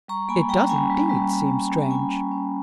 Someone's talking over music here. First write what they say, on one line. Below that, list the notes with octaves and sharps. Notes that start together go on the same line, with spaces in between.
"It does indeed seem strange."
G3 A#5 C#6
A#3 G#5 B5
G3 G5 A#5
C#4 G#5 B5
G3
G3
G3
G3
C#4
C#4 G#5 B5
G3
C#4